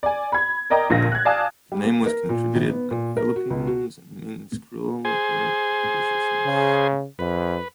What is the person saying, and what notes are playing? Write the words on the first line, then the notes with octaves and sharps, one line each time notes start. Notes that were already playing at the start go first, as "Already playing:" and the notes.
The name was contributed by the Philippines and means cruel or viciousness.
D5 G#5
B5 G#6
A#4 D5 D#5 G5 A#5
A#1 A#2 D3 F5 A#6
F#6 G#6
D5 F5 G#5 A5 D#6
G3
A#3
A#4
A#2
G#1
B3
A#2
A#4
F#4
C#2
F#4
G#4 C5 G#5
C#3
F2 B4